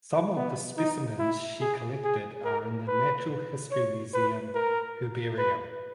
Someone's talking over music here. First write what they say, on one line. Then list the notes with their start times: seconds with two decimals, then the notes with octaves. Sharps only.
Some of the specimens she collected are in the Natural History Museum herbarium.
0.35 B3
0.77 D#4
1.19 E4
1.61 G#4
2.04 G#4
2.45 A#4
2.88 B4
3.71 C#5
4.14 B4
4.54 A#4
5.38 B4